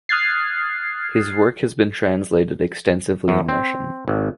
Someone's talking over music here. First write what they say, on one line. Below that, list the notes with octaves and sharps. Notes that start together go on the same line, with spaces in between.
His work has been translated extensively in Russian.
D#6 F6 F#6 G#6 A6 C7
F#2
C4
G#1